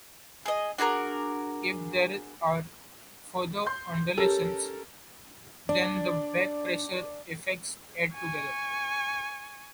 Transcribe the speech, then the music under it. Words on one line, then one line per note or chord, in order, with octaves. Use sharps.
If there are further undulations, then the back pressure effects add together.
G#4 D#5
D4 F#4 G#4 A#4
C6 G6
C#4 G4 A4 A#4
D4 D5
G#5 C#6